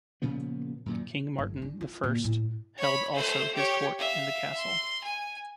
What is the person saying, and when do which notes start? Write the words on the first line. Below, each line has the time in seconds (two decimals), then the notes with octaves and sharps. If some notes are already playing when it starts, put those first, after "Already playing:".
King Martin the First held also his court in the castle.
0.22 A#2 C#3 F3 B3
0.86 F#2 A#2 D#3
1.38 G1
1.62 D4
1.81 F4
2.04 A#2
2.24 A2
2.78 C#5 B5
3.13 A3 C5
3.54 G4 C#5
3.98 E5 F5
4.57 C6
5.04 G#5